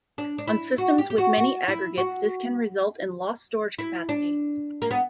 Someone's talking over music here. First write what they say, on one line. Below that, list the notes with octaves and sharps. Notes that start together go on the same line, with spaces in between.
On systems with many aggregates this can result in lost storage capacity.
D4
D4
E4
F#4
G4
G4
F#4
F#4
E4
F#4
E4
D4
A#3
B3